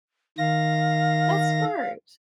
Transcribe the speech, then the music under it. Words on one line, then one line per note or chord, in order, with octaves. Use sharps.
That's smart.
D#3 F5 A#6